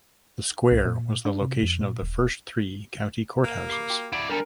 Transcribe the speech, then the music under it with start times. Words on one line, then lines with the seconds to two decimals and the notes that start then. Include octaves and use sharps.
The square was the location of the first three county courthouses.
0.72 C2
0.85 A#2
1.25 D4
1.42 C3
1.63 F2
1.81 A#2
2.02 D#1
3.44 A#3
3.70 G4 B5 D6 C7
3.90 F#4 G5 D6
4.13 E4 D5 F#5 A5 B5 D7
4.29 G3 D4 A4 A#4